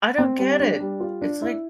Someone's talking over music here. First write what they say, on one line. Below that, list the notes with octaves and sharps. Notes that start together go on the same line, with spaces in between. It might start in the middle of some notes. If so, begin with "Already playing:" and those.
I don't get it, it's like
C4
G3
D4
G3
F4
D4
E4